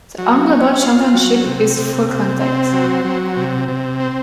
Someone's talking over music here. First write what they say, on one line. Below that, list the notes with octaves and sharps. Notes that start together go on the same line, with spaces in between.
The Angleball Championship is full contact.
F#3
C#4
F4
F#3
C3
C3
C3
C4
F#3
F#3
C3
C3
C4